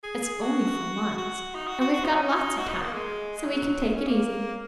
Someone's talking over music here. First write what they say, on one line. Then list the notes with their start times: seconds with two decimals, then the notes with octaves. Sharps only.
It's only four miles, and we've got lots of time, so we can take it easy.
0.03 G#4
0.23 G#4
0.41 F#4
1.18 F#4
1.55 D#4
1.67 F#4
1.81 F#4
1.93 F#4
2.05 D#4
2.16 C#4
2.27 D#4
2.58 F#4
2.69 D#4
2.82 A#3
2.93 G#3
3.37 G#3
3.44 F#3
3.83 C#3
3.96 C#4
4.07 A#3